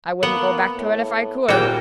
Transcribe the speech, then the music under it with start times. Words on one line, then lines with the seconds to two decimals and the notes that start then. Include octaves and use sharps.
I wouldn't go back to it if I could.
0.23 A#3 B3 F#5
0.76 A2
1.49 G#1 A#2 E3 G3 F#4 G5